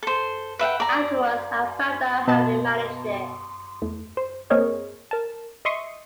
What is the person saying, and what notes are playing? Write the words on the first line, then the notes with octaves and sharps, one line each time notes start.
Afterwards I found out how it managed it.
A4 C5
B4 E5 F#5 G5
D5 A#5
B2 B3 B4 D#5 A5
E2 A3
C5
A#3 C4 G#4 A#4 C#5 D#5
A#4 A5
D#5 E5 C6 C#6 D#6